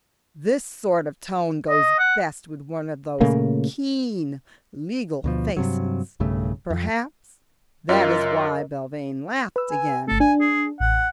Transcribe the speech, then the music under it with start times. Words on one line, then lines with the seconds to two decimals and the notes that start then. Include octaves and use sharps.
This sort of tone goes best with one of those keen legal faces; perhaps that is why Belvane laughed again.
1.69 D#5
1.99 F#5
3.21 A#2 C#3 A3 A#3
5.24 D2 B2 F3
5.57 G2 C3 F#3
6.20 B1 G2 C#3 A3
6.70 F2
7.89 F#2 F4 A#4 D#5
9.56 B4 E6
9.71 G#5
10.08 G1 A3 A4
10.20 D4 G#5
10.41 G#4
10.80 A1 F#5